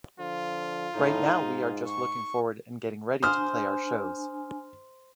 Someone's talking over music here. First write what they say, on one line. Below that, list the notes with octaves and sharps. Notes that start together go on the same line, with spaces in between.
Right now we are just looking forward and getting ready to play our shows.
D3 F3 F4
A2 D#4
G#2
C#6
D4 C5 G#5 D#6 F6